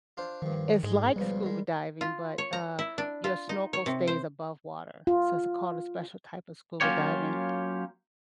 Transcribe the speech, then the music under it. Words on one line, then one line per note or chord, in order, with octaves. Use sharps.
it's like scuba diving, but, uh, your snorkel stays above water, so it's called a special type of scuba diving.
D4 F4 C5
G2 D#3 F3
G#2 G#3 G#4
C#2 B2 F3 G3
D#3 G#3
F4
C#5
A#5
E4
D4
F4
D#4
C#5
C3
C5
F4
F#3 A#3 C#4 F4 G4 C#5